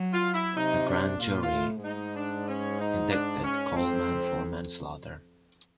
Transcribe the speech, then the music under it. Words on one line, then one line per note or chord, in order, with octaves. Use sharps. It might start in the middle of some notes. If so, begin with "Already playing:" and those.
A grand jury indicted Coleman for manslaughter.
Already playing: F#3
F4
E4
C3 D#4
D4
A#2 F4
F4
A2
G#2 D#4
D4
C#4
D#4
D4
C#4
F2 C4